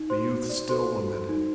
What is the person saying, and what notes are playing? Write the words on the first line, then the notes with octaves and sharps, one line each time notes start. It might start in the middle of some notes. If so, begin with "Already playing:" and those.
The youth still lamented.
Already playing: D#4
F#4 C5 C6
F#4
D5
A4 C5 C6
F#4
F#4
D#4